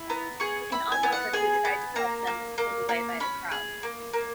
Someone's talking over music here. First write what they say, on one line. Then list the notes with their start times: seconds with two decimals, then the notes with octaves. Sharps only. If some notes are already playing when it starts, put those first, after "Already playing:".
An onlooker who tried to help them was pulled away by the crowd.
Already playing: E4
0.10 B3 A#5
0.40 G#4 C#6
0.72 E4 B5
0.92 G#5
1.03 B3
1.12 F#5
1.33 G#4 G#5
1.65 B3
1.96 A#3 A#5
2.27 A#3
2.58 A#3
2.89 A#3
3.20 C#4 B5
3.51 G#4
3.83 A#3
4.13 A#3